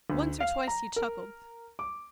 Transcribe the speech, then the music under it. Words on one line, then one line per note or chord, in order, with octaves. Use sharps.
Once or twice he chuckled.
D2
F5
A#5
A#4
D6